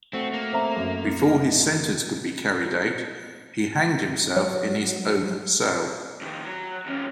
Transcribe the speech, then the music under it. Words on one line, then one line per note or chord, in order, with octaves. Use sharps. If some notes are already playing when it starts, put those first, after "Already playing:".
Before his sentence could be carried out, he hanged himself in his own cell.
A3 C4 F#4
A#3
C4 E5 A#5
F#2
F#3
F2 D#3
F#3
D#2 C#4